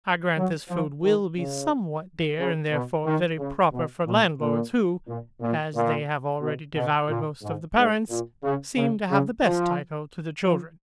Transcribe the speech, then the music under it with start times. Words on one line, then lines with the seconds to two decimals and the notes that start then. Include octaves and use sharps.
I grant this food will be somewhat dear, and therefore very proper for landlords, who, as they have already devoured most of the parents, seem to have the best title to the children.
0.36 F#3
0.70 F3
1.03 D#3
1.37 C#3
2.38 C#3
2.72 B2
3.05 D#3
3.39 C#3
3.73 B2
4.07 A#2
4.40 A#2
5.07 A#2
5.41 A#2
5.75 A#2
6.41 B2
6.75 B2
7.09 A#2
7.43 G#2
7.77 G#2
8.10 A#2
8.44 C#3
8.77 C#3
9.11 C#3
9.44 F3
10.45 F3